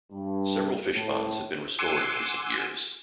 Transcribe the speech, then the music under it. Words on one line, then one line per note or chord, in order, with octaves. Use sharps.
Several fishponds have been restored in recent years.
G2
A2
F#5 G#5 C6 D6 E6